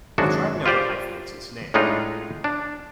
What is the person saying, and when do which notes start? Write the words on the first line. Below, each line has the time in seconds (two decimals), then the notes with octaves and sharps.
The tribe never hyphenates its name.
0.18 G#1 F#2 G#3 D4 F#4
0.66 F4 G4 C5 D5
1.74 A2 G#3 D4 D#4 F4
2.44 D4